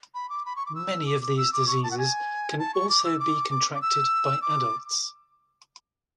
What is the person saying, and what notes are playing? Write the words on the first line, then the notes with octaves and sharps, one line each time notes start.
Many of these diseases can also be contracted by adults.
B5
D6
B5
C#6
D6
E6
D6
D6
E6
D6
C#6
A5
F#5
G#5
A5
C#6
D6
E6
D6
D6
D6
E6
D6